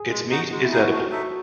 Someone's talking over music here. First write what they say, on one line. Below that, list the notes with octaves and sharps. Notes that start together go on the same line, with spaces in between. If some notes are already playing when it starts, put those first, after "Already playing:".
Its meat is edible.
Already playing: G#4
G#3
D#4 F#4
G#3 F#4
E4
D#4 G#4
F#4
A3
D#4 A4 E5